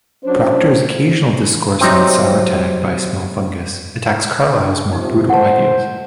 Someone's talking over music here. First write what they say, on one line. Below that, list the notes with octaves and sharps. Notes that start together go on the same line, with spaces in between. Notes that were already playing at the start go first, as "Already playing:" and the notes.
Proctor's "Occasional Discourse on Sauertieg by Smelfungus" attacks Carlyle's more brutal ideas.
F#3 C#4 D4 C5
C3 F#3 C4 D#4 C5
C3 F3 D#4
A3 C5 F#5 A5